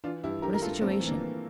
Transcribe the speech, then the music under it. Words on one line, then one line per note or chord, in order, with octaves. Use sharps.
What a situation!
E3 D4 F4
G2 E4 G4
G2 G4 A#4
A#4
G2 F4 A4
G2 A3 C4
E3
A#3 D4
E3